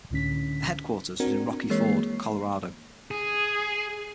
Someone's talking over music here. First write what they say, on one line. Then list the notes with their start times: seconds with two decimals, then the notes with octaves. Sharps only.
The headquarters was in Rocky Ford, Colorado.
0.10 C#2 A2 D3 C#4 B6
1.20 C4 D4 F#4 A#4
1.70 E3 G#3 A#3 C#5 C7
3.11 G#4